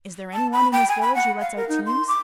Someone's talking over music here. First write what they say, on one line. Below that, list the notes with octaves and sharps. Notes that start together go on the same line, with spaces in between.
"Is there any one in this village who lets out teams?"
A5
B5
G5
G#5
B5
F#5
F5
A#4
D#4
C6
D6